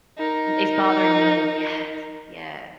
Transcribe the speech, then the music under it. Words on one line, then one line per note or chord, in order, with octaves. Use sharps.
M "It's bothering me." Yes, yeah.
D#4 A#4